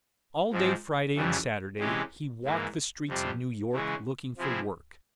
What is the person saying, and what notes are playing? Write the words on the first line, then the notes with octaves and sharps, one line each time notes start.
All day Friday and Saturday he walked the streets of New York, looking for work.
G#2 F3 C4
F2 C#3 E3 G3
C3 E3 G#3 C#4 G4
G#2 E3 A#3
F2 C3 G3 C4
C#3 E3 G#3 C#4
C3 F3 C4 E4 G#4